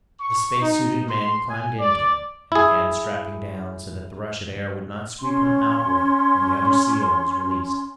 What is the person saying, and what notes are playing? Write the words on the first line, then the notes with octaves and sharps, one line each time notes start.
The spacesuited man climbed into it and began strapping down so that the rush of air would not sweep him outward when the other seal was released.
C#6
D#4
C6
G#5
D5
E4 G#4
C#4 C6